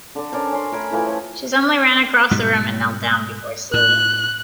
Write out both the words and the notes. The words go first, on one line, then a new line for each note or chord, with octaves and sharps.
She suddenly ran across the room and knelt down before Celia.
D3 D4
C#4 D4 A#4 C5
C#4 C6
A3 A#4 G#5 B5
E3 F3 A3 E4
C#5
G#2 B2 G3
A2 F#6